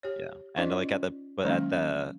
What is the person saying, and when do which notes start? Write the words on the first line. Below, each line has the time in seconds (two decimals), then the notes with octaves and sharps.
Yeah, and, like, at the but at the
0.03 G4 C#5
0.57 C#4 D#4 F4 C5 D5 D#5
1.45 D#3 F#3 G#3 A#3 C#4 D#4